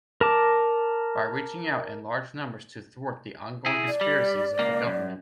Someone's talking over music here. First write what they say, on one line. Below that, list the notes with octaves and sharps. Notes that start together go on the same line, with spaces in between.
By reaching out in large numbers to thwart the ongoing conspiracies of the government.
A#4 A5 D6
E4 G#4
D5
G3
C#2 A#3
F#2